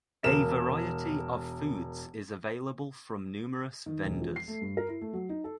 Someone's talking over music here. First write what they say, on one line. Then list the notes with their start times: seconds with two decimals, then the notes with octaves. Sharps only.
A variety of foods is available from numerous vendors.
0.24 E1 A#4 E7
3.86 D#3
4.05 E1
4.21 F3
4.36 C7
4.48 A3
4.62 G2
4.77 A#4
4.89 E4
5.01 A3
5.13 F#3
5.29 D#4
5.44 A4